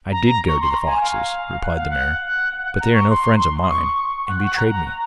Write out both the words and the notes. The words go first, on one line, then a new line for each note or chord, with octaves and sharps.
'I did go to the foxes,' replied the mare, 'but they are no friends of mine and betrayed me.'
A#5
C#6
C6
A#5
G#5
F5
F#5
F5
F#5
A#5
C#6
C6
C6
D#6
C#6
F#5
F#5
A#5